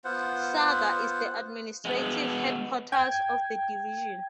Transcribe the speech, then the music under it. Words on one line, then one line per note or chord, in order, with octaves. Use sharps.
Sagar is the administrative headquarters of the division.
B3 F4 C5 F#5
G#3 B3
G5 G#6